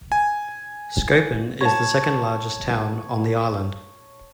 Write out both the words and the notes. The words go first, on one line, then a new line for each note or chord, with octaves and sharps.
Skopun is the second-largest town on the island.
G#5
C#5 A5